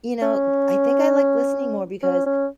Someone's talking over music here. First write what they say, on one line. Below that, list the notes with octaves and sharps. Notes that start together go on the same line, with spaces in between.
you know, I think I like listening more because
C#4
C#4
C#4